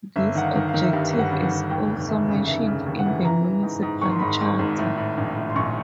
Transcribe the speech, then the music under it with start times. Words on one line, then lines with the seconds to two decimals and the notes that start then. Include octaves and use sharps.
This "objective" is also mentioned in the municipal charter.
0.16 G1 E5
0.35 D#3 F#5
0.42 F5
0.55 D#3
0.68 F5
0.74 D#3
0.83 E5
0.93 G2 F5
1.13 G1
1.19 F#5
1.33 G1
1.44 F#5
1.51 G1
1.70 D#2 G5
1.90 F1
2.08 D#2 E5
2.28 C#3
2.47 D#2 E5
2.67 C#3
2.86 D#2
2.99 F#5
3.06 E3
3.25 E3 A#5
3.44 E3
3.63 G#2
3.82 G#2
4.01 G#1 C#6
4.10 C6
4.19 G#2 B5
4.28 C6
4.41 G#2
4.59 G#1
4.78 A2
4.97 A2
5.17 A#1
5.37 A2
5.50 C6
5.55 A#1 C#6